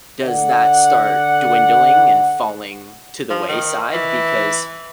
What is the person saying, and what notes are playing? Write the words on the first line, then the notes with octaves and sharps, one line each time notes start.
does that start dwindling and falling to the wayside because
D3 D5 F#5
F3
D#3
E3